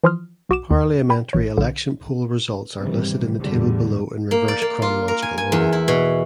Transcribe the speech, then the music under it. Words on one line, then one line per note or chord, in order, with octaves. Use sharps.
Parliamentary election poll results are listed in the table below in reverse chronological order.
E3 F3 C6 D#6 F6
B1 F#4 D6 E7
D#2
G5 B5
A1 C#5
B1 D3
G#2 C3 D#3 E3 G3
E2 A2 D3 G3
A#3
D5
A#3
F4
A#4
G#5
G#5
E2
E4
B2